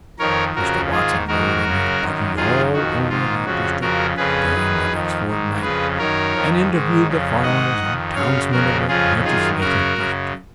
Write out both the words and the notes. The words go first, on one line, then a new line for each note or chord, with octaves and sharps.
Mr. Watson rode in his buggy all over their district during the next fortnight, and interviewed the farmers and townsmen of the legislative district.
F2 D#3 A#4 C#5
F2 C#3 F#4 A#4
G#2 D#3 F4 G#4
G#2 D#3 F#4 A#4
F#2 C#3
F#2 D#3
F#2 D#3 F4 G#4
F2 D#3 F#4
G#2 D#3 F4
F2 C#3 F#4
F2 C#3 F#4 A#4
F2 C#3 G#4 B4
F#2 D#3
F2 D#3
G#2 D#3
F2 C#3 G#4 B4
F#2 D#3 A#4 C#5
F2 D#3
G#2 D#3
F2 C#3
G#2 D#3 D#5 F#5
F2 D#3
F#2 C#3 C#5 F5
F2 C#3 F#4 A#4
F2 C#3 F4 G#4
F#2 D#3 F4 G#4
F#2 C#3 F#4 A#4
F#2 C#3